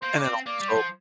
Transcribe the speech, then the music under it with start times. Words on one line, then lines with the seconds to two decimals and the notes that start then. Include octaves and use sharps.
and then also
0.02 A#3 C5
0.17 D5
0.24 C4
0.46 A#3 D5
0.61 G3
0.68 C5
0.76 F3